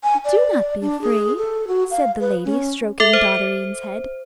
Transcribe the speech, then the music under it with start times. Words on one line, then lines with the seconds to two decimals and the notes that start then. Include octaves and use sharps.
'Do not be afraid,' said the lady, stroking Dotterine's head.
0.03 G#5
0.25 D5
0.81 D4
1.02 G#4
1.37 A4
1.68 F#4
1.91 F5
2.20 B4
2.45 C#4
3.00 A4 E5
3.13 C5